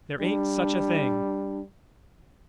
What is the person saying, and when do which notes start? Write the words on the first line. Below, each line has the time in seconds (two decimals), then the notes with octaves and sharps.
"There ain't such a thing!"
0.20 G3 D4